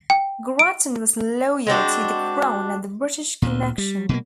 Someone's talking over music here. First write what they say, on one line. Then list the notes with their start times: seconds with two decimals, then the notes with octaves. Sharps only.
Grattan was loyal to the Crown and the British connection.
0.10 G5
0.59 D7
1.67 G#3 C4 D4 F#4
3.42 D2 A#2
3.78 G3
4.09 B2 G#3 A#3